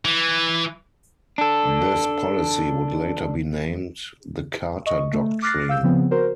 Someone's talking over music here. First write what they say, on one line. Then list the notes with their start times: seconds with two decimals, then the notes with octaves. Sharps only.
This policy would later be named the Carter Doctrine.
0.05 E3
1.38 D4 A4
4.86 D#5 C#6
5.13 A3
5.42 D6 F6 F#6 A6 A#6 C7
5.69 F5 E6 G6
5.83 C#3 F3 B3 C4
6.11 F#4 A#4 C5